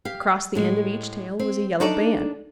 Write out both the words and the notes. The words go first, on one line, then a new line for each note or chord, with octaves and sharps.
Across the end of each tail was a yellow band.
G4 F5
A2 G#3
C4
D4 D#4 A4 D5